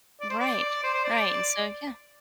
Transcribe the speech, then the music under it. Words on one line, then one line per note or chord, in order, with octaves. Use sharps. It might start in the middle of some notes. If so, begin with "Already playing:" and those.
Right, right, and so, yeah.
D5
C5
D5
C5
C5
D5
D5